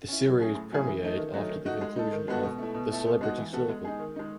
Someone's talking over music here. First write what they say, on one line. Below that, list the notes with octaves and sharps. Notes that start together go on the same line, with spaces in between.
The series premiered after the conclusion of "The Celebrity Circle".
C#4 E4
F#3
C#4 E4 G#4
A2
F#3 C#4 E4 G#4
E3
A3 D#4
D#3
F#3 A3 D#4
D#3
A3 D#4 F#4
G#3
D#4 A4
D#3
G#3 B3 F#4 A4
B2
A3 E4
B2
A3 E4 A4
B2
G#3 D#4 F#4
E3
B3 F#4 A4
G#3
D#4 G#4
D#3
G#3 D#4